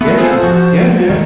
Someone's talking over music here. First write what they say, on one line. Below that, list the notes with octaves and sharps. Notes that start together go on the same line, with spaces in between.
Yeah. Yeah, man.
A3 B3
F4 G#4 A4 C5
F3 F#4
D#3